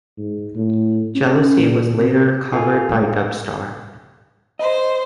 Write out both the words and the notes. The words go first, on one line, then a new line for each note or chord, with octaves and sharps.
Jealousy was later covered by Dubstar.
G#2
A2
C#4
A#2
C3
F4 A4 A#4 G#5
C#3 G#3
C5 D#5